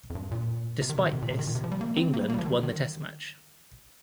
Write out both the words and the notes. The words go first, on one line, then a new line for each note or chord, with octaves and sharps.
Despite this England won the test match.
F2
G2
A#2
C3
D#3
C3
D#3
C3
A#2
C3
D#3
A#2
C3
F3
G3
A#3
C4
A#3
G3
A#3
G3
F3
D#3
D#3